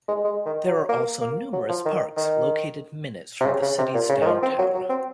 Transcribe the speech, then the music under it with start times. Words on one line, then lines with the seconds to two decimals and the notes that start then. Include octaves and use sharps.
There are also numerous parks located minutes from the city's downtown.
0.08 G#3
0.25 G#3
0.46 D#3
0.67 F#3
0.89 A#3
1.21 A#3
1.53 F#3
1.69 F3
1.86 D#3
2.17 D#3
3.41 C3
3.46 C#3
3.62 C#3
3.78 C3
3.95 A#2
4.09 C#3
4.22 D#3
4.26 F3
4.43 C4
4.59 F#3
4.75 F#3
4.90 C4